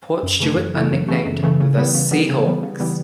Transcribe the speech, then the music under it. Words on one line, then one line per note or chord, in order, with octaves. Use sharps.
Portstewart are nicknamed "The Seahawks".
F#2
C#3 E3 A3
F#2
C#3 E3 A3
F#2
C#3 E3 A3
F#2
C#3 E3 A3
C#3
E3 G3 B3
C#3
E3 G3 B3
C#3
E3 G3 B3
C#3
E3 G3 B3